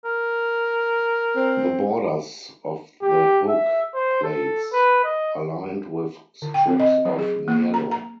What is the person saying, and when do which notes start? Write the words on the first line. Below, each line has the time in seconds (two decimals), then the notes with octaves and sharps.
The borders of the hook plates are lined with strips of niello.
0.05 A#4
1.36 C4
3.02 G4
3.48 E5
3.94 C5
4.23 A4
4.73 B4
5.04 D#5
6.42 D3
6.54 G5
6.67 C4
6.80 D#5
7.05 F#3
7.19 G#4
7.48 A#3
7.74 A#5
7.91 A#5